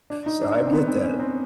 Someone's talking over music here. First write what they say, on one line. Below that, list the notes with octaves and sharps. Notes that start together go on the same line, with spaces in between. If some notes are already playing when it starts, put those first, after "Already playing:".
so I get that.
D4
D#4
D4
C4
C4
B3
C4
C#4
C4